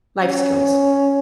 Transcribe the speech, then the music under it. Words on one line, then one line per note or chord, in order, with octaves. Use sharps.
Life skills.
C#4